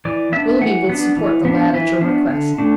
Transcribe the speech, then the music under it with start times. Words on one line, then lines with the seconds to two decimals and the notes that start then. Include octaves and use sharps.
Willoughby will support the lad at your request.
0.05 E3 D5
0.32 B3 D4 E5
0.61 E3 F#5
0.89 B3 D4
1.17 E3
1.45 B3 D4
1.73 E3 E5
2.01 B3 D4
2.29 D3
2.58 A3 D4